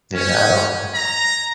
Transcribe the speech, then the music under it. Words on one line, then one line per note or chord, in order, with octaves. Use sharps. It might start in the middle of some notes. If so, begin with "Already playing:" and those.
You know?
C#4
A#5